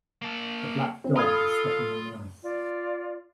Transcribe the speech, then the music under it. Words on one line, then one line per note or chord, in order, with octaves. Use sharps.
A black dog is stepping on the ice.
A#3 A5
C4
F4 A4 B5 D#6 G#6
F4 D5